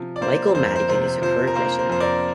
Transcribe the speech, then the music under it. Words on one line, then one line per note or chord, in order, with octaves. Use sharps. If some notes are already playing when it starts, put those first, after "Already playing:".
Michael Madigan is a Current resident.
Already playing: C3 F3
D5
A#3 C5
F2 C5
A#4
C5
C3 C5
F3 C5
A#4
A#3 C5
C5
F2 C5
A#4 D5